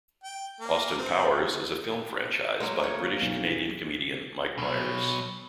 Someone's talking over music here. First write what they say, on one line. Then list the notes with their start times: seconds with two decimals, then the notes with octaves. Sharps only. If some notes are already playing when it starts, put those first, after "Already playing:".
"Austin Powers" is a film franchise by British-Canadian comedian Mike Myers.
0.24 G5
0.61 A#3
0.98 C4
2.60 F#3 G#3 A#3
2.80 A#4 C#5
3.22 B1
4.58 B2 F#3